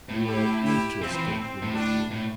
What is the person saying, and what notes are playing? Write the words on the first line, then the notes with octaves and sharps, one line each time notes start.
"You are interested in the will."
A2
E4 G4
E4 G4
F3 C4
E3
A2
C4
A2
D4
A2